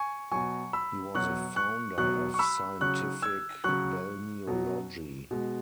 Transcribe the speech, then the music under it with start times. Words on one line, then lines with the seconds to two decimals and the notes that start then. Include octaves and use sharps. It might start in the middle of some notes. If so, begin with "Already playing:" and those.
He was a founder of scientific balneology.
Already playing: G#5 C#6
0.31 B2 F#3 G#5 C#6
0.73 B5 E6
1.15 B2 F#3 C#6 F#6
1.56 C#6 F#6
1.98 B2 F#3 C#6 F#6
2.34 C#6
2.39 B5 E6
2.81 C#3 F#3 C#6 F#6
3.22 E6 G#6
3.64 C#3 F#3 C#6 F#6
4.47 B2 F#3
5.31 B2 G#3